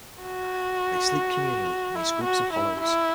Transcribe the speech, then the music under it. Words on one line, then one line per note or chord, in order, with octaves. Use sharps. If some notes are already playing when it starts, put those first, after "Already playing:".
They sleep communally in these groups of hollows.
F#4
E4
F#4
E4
E4